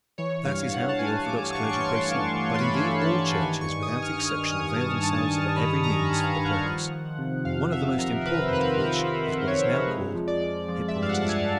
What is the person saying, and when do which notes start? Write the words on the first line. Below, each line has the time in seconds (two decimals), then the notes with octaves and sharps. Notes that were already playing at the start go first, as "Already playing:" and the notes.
That is how the Orthodox clergy proceed; but indeed all churches without exception avail themselves of every means for the purpose --one of the most important of which is what is now called hypnotism.
0.18 E3 C#5
0.45 G2 F5
0.73 G2 F#5
0.89 A5
0.99 E3 G#5
1.26 A3 D6
1.53 E3 C#6
1.69 C#6
1.79 E3 C6
2.07 G2
2.34 E3
2.54 C6
2.61 G2 B5
2.88 A3
3.02 A5
3.15 G2
3.41 D#3 G#5
3.61 C#6
3.69 G2
3.83 D#6
3.95 D#3
4.02 F6
4.22 D#3 F6
4.49 G2 D#6
4.76 G2 A5
5.03 G2 A5
5.30 G3 A5
5.56 D#3 B5
5.84 D#3 A#5
6.04 B5
6.11 G3
6.24 F5
6.38 D#3
6.45 F#5
6.65 F3 F#5
6.91 F3
7.18 C3
7.45 F2 F5
7.72 F2 E5
7.81 F5
7.88 E5
7.99 F3 A#4
8.21 A#4
8.26 C3 B4
8.48 C5
8.53 F2 B4
8.74 A#4
8.80 F3 B4
9.07 F3 B4
9.34 F3
9.41 C5
9.47 C#5
9.60 F2
9.88 G#3
10.15 F3
10.28 D5
10.42 G#3
10.68 F3
10.88 E5
10.96 G2
11.03 F5
11.09 F#5
11.22 G2 A5
11.29 G#5